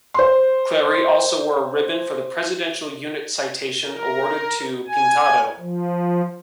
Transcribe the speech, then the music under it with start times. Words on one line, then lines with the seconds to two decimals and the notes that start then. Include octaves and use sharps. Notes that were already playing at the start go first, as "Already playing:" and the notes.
Clarey also wore a ribbon for the Presidential Unit Citation awarded to "Pintado".
0.14 C5 C6
3.86 A#4
4.87 G#5
5.59 F3